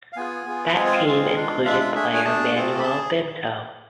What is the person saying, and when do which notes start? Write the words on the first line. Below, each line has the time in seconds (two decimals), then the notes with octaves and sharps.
That team included player Manuel Bento.
0.13 F5
0.17 B3 F4 G#4 G#5
0.46 B3 F4 G#4
0.75 G#3 C4 F4 G#4 G#5
0.86 G#5
0.96 F5
1.06 G#3 C4 F4 G#4
1.35 G#3 D4 F4
1.65 G#3 D4 F4 E5
1.80 E5
1.95 A3 D4 G#4 E5
2.15 G#5
2.25 A3 D4 G#4 A5
2.55 A3 C4 F4 G#4
2.80 B5
2.84 G#4 A5